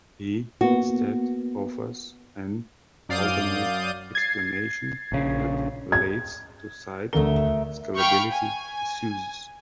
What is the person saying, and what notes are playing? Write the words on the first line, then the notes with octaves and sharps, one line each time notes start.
He instead offers an alternate explanation that relates to site scalability issues.
A#3 B3 F#4
F#2 D5 F5 D#6 G6 D#7
G#6 A6 C7
A#1 C#3
G#6
D2 D3 A3 A#4 G7
F5 G5 B5 C#6 F6 G6
G#5